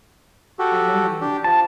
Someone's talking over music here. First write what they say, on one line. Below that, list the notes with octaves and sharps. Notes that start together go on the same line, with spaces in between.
I know you.
F#4 G4 A4
D4 G4
F3 A5